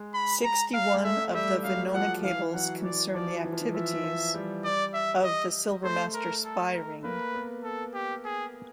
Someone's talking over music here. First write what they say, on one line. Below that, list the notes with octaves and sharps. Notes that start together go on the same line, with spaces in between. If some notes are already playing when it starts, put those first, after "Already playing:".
Sixty-one of the Venona cables concern the activities of the Silvermaster spy ring.
Already playing: G#3
B5
A#5
F5
G#3
A3 E5
G3 E5
F#3 F5
F3 F#5
E3 F5
F#3 F#5
D5
F3 D5
E3
F3
E3
F3 E5
F3
G3
D5
E5
D#5
A3 C5
A#4
A4
A#4
A#3 B4
B3
A4
G4
G#4